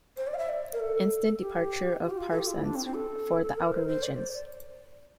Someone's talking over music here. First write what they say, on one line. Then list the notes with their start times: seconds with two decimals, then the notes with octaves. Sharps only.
Instant departure of Parsons for the outer regions.
0.17 C5
0.27 D5
0.34 F5
0.38 E5
0.49 D5
0.73 A#4
0.80 A4
1.41 G4
2.03 F4
2.11 G4
2.18 F4
2.31 A4
2.39 G4
2.47 F4
2.55 E4
2.64 D4
2.75 C4
2.85 C4
2.95 A4
3.56 A#4
3.72 C5
3.88 C5
4.03 D5